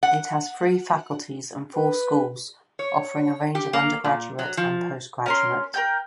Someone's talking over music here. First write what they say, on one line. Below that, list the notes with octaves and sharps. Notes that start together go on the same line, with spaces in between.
It has three faculties and four schools, offering a range of undergraduate and postgraduate.
F#5
B4
C#5
G4
A#3
A#2
F#3
F3
C#4 A#4 C6
A#4 G5 G6